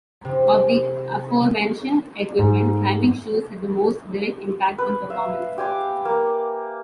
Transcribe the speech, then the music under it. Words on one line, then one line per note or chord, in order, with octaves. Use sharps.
Of the aforementioned equipment, climbing shoes have the most direct impact on performance.
C3
G#2
B4
E5 F5
G4 G#5 D6
A#3